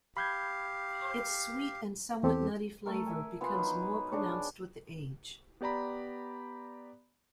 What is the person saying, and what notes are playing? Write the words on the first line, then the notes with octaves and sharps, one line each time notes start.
Its sweet and somewhat nutty flavour becomes more pronounced with age.
G4 F5 B5 G6 G#6
E2 C4 G4 A4
A3 A#4
E5 G#5
B3 F4 B4 G#5
F#3 D#4
D4 G#4 C#5
B3 G4 D5 A#5 B5